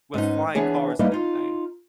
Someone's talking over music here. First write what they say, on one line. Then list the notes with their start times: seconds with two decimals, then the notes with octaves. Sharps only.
with flying cars and everything.
0.14 G#2 B3 C#4 D#4
0.55 E3 B3 D4 E4 G#4 C#5
0.99 G3 A#3 D#4 E4 B4 D#5
1.12 D#4 F4